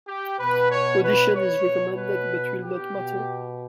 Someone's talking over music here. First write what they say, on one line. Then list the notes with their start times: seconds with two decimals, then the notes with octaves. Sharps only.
Audition is recommended but will not matter.
0.08 G4
0.39 B2 B4
0.71 C#5
1.04 B4
1.35 C#5
1.67 B2
1.99 B4
2.62 G4
2.94 B2